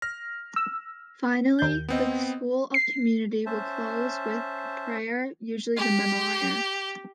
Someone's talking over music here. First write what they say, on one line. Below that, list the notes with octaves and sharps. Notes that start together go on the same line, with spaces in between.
Finally, the School of Community will close with prayer, usually the Memorare.
F6 A#6
E6
D#2 G6
B3 C4 D#5
C7
C#4 C5 E5 A5
G4